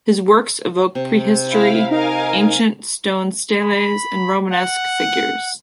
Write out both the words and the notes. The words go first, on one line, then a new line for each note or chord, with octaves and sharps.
His works evoke prehistory, ancient stone steles and romanesque figures.
C3
E4 F5
D#4 A#4 F5 G#5
B5
F#5